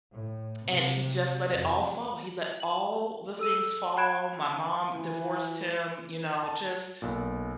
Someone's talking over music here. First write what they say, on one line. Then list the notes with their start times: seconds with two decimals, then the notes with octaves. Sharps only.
And he just let it all fall. He let all the things fall. My mom divorced him, you know, just
0.13 A2
0.64 C3
1.50 F2
2.60 F#7
3.39 A4 E6 D#7
3.97 G5 B5 F#6 G#6 D7 E7
4.92 E3
6.43 A5
7.02 B1 A#2